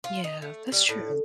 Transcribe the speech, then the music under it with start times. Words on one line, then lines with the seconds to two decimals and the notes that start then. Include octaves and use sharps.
Yeah. That's true.
0.04 F4
0.24 D#5
0.42 A3
0.72 G3
0.89 A2